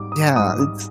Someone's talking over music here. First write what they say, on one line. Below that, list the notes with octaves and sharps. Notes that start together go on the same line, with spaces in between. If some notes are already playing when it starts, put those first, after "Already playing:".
Yeah, it's
Already playing: G#2 G3 D6
D#6
G#2 G3 D#6
D#6